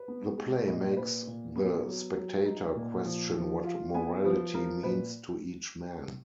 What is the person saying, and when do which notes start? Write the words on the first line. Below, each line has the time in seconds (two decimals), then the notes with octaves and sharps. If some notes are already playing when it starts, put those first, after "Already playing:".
The play makes the spectator question what morality means to each man.
Already playing: B4
0.08 B3
0.38 G#3
0.67 A#2 D#5
0.97 A#2 B4
1.27 A#2
1.56 B3
1.86 F#3
2.16 F#3
2.46 D#4
2.76 A#2
3.05 F3
3.35 F3
3.64 F4
3.94 B3 G#5
4.24 F3 B4
4.54 F3 A#4
4.83 A#2 B4